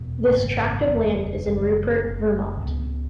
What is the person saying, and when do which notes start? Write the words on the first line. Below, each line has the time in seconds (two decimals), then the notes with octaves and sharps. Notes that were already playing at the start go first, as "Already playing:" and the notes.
This tract of land is in Rupert, Vermont.
Already playing: E1 E2 B2
0.28 G#1 F#2 C#3
0.86 F#1 E2 E3
1.45 F#1 F#2 E3
2.03 F#1 F#2 C#3
2.60 C#2 C#3 F#3
2.66 B3